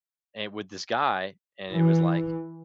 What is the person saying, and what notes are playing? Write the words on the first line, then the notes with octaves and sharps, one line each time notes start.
and with this guy, and it was like,
E3